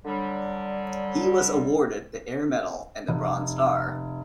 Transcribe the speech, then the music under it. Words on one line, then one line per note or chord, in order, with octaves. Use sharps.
He was awarded the Air Medal and the Bronze Star.
D3 F#3 G3
F1